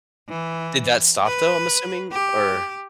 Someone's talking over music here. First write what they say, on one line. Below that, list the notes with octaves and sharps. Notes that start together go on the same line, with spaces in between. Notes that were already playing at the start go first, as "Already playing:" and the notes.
Did that stop, though, I'm assuming? Or...
E3
B4
G4